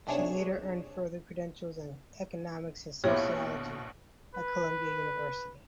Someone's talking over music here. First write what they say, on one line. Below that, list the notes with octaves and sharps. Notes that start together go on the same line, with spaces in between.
She later earned further credentials in economics and sociology at Columbia University.
B1 C3 D4 G#4 C#5 E7
A#1 B2 E4 F4 G4 C#5
B4